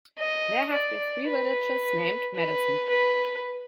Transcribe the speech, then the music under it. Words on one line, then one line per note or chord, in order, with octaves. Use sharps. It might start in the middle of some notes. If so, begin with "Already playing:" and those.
There have been three villages named Madison.
D#5
D5
B4
B4
B4